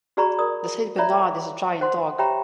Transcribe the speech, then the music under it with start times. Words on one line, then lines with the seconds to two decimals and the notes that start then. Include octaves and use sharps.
The Saint Bernard is a giant dog.
0.17 F#4 G#4 D5 A#5 B5 C#6
0.38 A#4 D5 D#6
0.98 C#5 D5 E5 A#5 B5
1.81 C5 F#5 C6
2.19 G4 C#5 E5 G5 A#5 B5